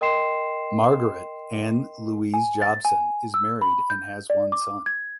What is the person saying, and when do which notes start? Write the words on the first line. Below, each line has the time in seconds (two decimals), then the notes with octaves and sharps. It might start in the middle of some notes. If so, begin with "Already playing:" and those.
Margaret Ann Louise Jobson is married and has one son.
0.01 A#4 D#5 G5 C6 C7 E7
2.34 G#5
2.62 A6
2.85 G#5
3.34 E6
3.61 B5
3.90 G6
4.30 D5
4.52 D6
4.86 G#6